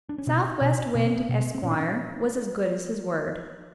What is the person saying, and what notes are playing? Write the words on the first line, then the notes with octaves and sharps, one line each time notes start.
Southwest Wind, Esquire, was as good as his word.
D4
C#4
B2 C4
B2
B2 B3
C4
B3
B2
C4
A#2 C#4
D4
C#4